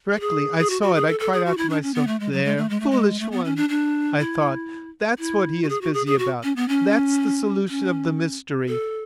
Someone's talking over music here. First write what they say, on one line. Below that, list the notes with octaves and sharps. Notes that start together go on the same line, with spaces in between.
Directly I saw it I cried out to myself: 'There, foolish one,' I thought, 'that's what he is busy about; that's the solution of the mystery!
A4
G#4
G#4
F#4
F#4
G#4
A4
A4
G#4
F#4
E4
D4
C#4
B3
A3
G#3
F#3
G#3
A3
G#3
A3
G#3
A3
B3
C#4
D4
D4
E4
E4
F#4
G#4
F#4
G#4
G#4
F#4
C#4
B3
C#4
C#4
A4